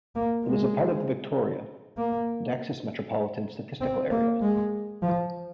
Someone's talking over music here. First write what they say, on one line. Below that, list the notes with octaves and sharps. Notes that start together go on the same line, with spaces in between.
It is a part of the Victoria, Texas Metropolitan Statistical Area.
A#3
G#3
A#3
C4
A#3
G#3
F3